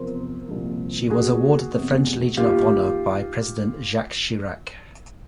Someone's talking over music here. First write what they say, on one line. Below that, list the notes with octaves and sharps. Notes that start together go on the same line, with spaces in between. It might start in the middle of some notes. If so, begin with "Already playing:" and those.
She was awarded the French Legion of Honour by President Jacques Chirac.
Already playing: E2 C3 F3 A#4 C5
C2 A#2 F3
D#2 D#3 F#4 G#4
F1 E2 C3
D#2 D#3 F4 G4